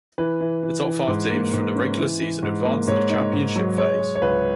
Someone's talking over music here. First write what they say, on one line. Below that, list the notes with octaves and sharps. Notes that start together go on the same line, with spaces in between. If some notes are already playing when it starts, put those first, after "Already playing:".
The top five teams from the regular season advanced to the championship phase.
E3 B4
E3
E3
E3
G#2
A#3
G#2
C#4
E3
E3
G#2
A#3
G#2 C#5
D#4
G#2
F#3
G#3 C#5
G#3
C#5
C#2 B4